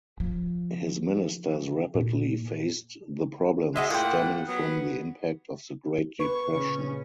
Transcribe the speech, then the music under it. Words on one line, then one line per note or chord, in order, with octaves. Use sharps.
His ministers rapidly faced the problems stemming from the impact of the Great Depression.
F3
A#2
G#3 F#4 D#5 E5
A2 A#3 F4 F#5 G5
F#3 B3
B4 C#6
A#2 C#3 C#4